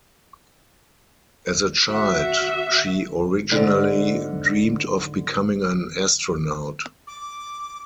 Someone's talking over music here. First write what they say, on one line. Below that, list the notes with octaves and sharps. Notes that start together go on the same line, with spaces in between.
As a child, she originally dreamed of becoming an astronaut.
F#4 E5
G#2 D3
D6